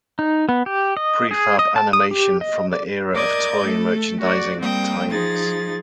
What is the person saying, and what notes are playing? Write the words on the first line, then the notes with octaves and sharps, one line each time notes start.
Prefab animation from the era of toy merchandising tie-ins.
D#4
B3
G4
D#5
G#4
D#5
A5
D#6
G4
D#5
D5
A#4 D5 D#5 D6 G6 G#6
A3 A4
F#4 D5
G3 A#3 C4 G5 D#6
F3 D#4 G#4 A6